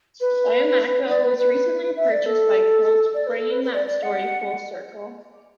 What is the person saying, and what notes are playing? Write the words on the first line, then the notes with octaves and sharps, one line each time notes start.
Diemaco was recently purchased by Colt bringing that story full circle.
B4
D5
B4
B4
E5
D5
A4
D5
B4
A4
B4
B4
D5
D5
F#5